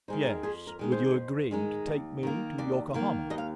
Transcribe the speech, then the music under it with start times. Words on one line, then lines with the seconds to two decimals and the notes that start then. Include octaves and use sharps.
"Yes, will you agree to take me to Yokohama?"
0.08 D#3 G#3 D#4 C5
0.26 A#4
0.43 F2 G#4
0.67 A#4
0.79 D#3 G#3 D#4
0.92 C5
1.16 F2
1.51 D#3 G#3 D#4
1.87 D#2
2.23 D#3 A#3
2.58 D#2 D5
2.94 D#3 A#3
3.30 D#2 D#5
3.38 F5